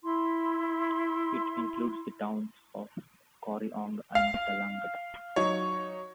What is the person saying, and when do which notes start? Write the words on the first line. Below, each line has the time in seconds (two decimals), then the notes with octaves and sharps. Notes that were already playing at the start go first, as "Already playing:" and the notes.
It includes the towns of Corryong and Tallangatta.
0.03 E4 C6
4.15 F5
5.36 F#3 D#4 C#5